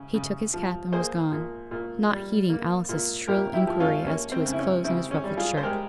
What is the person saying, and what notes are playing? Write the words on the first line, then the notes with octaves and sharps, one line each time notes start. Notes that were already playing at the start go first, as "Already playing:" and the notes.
He took his cap and was gone, not heeding Alice's shrill inquiry as to his clothes and his ruffled shirt.
Already playing: C#3
C#3
F3
A#3 G#4 C5
A#2
A#2
G3
A#3
A#2
A#2 G4 A#4
E4 G4
F3
C#4 F4
A#3 C#4
C4
C#3
E4
C#4
C#3 C4 E4
C#4
G3
F4 G#4
C5
G#3 G4 A#4